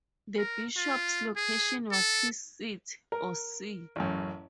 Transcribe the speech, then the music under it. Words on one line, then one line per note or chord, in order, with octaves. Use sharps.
The bishop's location was his "seat", or "see".
A#4
F4
G#4
A4
A#4
A1 F#2